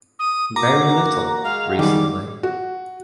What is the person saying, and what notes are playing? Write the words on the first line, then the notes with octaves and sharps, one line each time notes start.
Very little, recently.
D#6
A#3 F#4 A#5 D6
G#3 F#4 F5
D#3 G3 D6
F#4